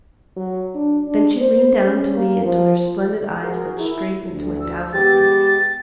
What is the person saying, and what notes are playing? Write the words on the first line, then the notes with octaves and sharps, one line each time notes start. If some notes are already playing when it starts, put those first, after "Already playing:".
Then she leaned down to me until her splendid eyes looked straight into my dazzled ones.
F#3
D4
D4
C5
C#4
A#3
F3
F#4 G#4 A#4
E4
D2
E6
G#3 B3 G4 A6